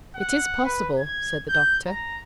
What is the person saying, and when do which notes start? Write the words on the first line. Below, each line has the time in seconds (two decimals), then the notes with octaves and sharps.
"It is possible," said the doctor.
0.15 F#5
0.65 B4
0.99 G#6
1.49 G6
1.86 A#5